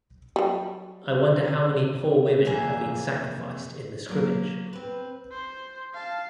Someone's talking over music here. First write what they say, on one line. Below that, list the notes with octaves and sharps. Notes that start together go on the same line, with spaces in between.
I wonder how many poor women have been sacrificed in the scrimmage?
F#3 G3
F2 C3 E3 A#3 G#4 E5
F#3 A#3
C4 B4
C5
F5 A5